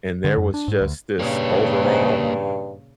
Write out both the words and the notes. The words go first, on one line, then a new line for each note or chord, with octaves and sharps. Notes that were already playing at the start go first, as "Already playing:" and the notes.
and there was just this overall,
D3
F#2
D4
G#2
D2
G2 A#2 C#3 A#3 C#5